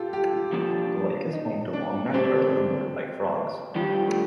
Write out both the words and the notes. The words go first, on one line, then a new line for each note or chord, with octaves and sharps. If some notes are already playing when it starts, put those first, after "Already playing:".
The Lake is also home to long neck turtles and motorbike frogs.
Already playing: F4 G4 A4
G4
F4
F3 A#3 D4 G4
D#4
D4
D3 A3 C4 D4 G4
F2 D#3 F3 G3 D4 G4
A3